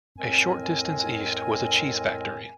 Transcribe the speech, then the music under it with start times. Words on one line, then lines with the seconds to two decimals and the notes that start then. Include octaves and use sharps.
A short distance east was a cheese factory.
0.18 F2 A2 G#3 C4 A#4 G#5